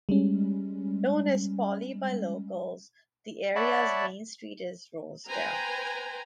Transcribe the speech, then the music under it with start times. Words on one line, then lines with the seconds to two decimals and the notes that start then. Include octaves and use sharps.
Known as Poly by locals, the areas main street is Rosedale.
0.09 G3 G#3 C#4
3.56 C#5 D5 E5 F#5 A5 B5
5.28 B4 C5 G5 G#5 A#5